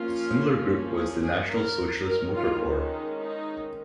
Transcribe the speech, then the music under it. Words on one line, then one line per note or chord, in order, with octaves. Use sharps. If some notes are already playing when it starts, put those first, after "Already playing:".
A similar group was the National Socialist Motor Corps.
Already playing: F3 A#3 C#4 F4
G#4
G#4
A#4
D#3 G#3 C#4 A#4
F4
D#4
D#4